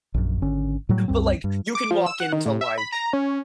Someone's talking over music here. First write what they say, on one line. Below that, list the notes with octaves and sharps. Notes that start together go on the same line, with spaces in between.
but, like, you can walk into like
A#1 F#2
G#1 D3 C#4
A2 F#3 G3
C2 F#2 G3 C4
G2
D6
F3
E6
F#5
D#3
A2
E5
B5
A#5
C#4